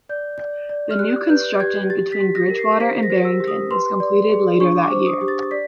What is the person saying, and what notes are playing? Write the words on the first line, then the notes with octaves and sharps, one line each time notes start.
The new construction between Bridgewater and Barrington was completed later that year.
D5 G6
D5
D5
F6
G4 F#6
B4 G6
G4 G#6
G4 A6
B6
G4
A#6
A#4
C7
C5 B6
A#6
C5
E6
G4
D#6
B4 C6
D5
G#4
D4 C#6
D6
C5
D#6
G4
A6
D5 B6